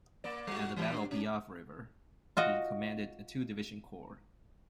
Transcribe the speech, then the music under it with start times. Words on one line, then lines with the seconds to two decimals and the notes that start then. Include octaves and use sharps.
At the Battle of Piave River he commanded a two-division corps.
0.24 A#3 D5
0.47 G3 F#4
0.76 E3 G3 E4
0.92 D4
1.11 C#4
2.37 F4 F#4 D#5